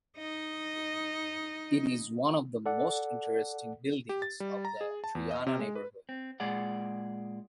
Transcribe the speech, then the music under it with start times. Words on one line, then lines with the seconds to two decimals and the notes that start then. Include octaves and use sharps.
It is one of the most interesting buildings of the Triana neighborhood.
0.18 D#4 D#5
2.66 A4 D5 F#5
4.09 G4
4.22 A6
4.40 G3
4.65 A#5
4.81 G#4
5.04 A5
5.15 E2
5.31 D#5
5.47 C3
5.59 G#3
5.75 B4
6.09 C4
6.40 A#2 G#3 G#4 D5 F#5